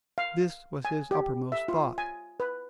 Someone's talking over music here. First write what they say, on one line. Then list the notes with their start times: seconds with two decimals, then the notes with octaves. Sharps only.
This was his uppermost thought.
0.18 F5
0.85 G#5
1.11 G4
1.52 E5
1.68 F4
1.98 G#5
2.40 B4